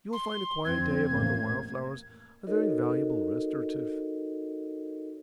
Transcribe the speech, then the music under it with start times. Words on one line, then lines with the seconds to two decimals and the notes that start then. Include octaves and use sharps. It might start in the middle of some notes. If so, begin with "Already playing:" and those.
You will find a quiet day among the wild flowers a very valuable restorative.
0.13 C6
0.65 F2 C4 G#6
1.09 A1 A#3
2.47 D#4 F#4 A4 A#4 C#5 D#5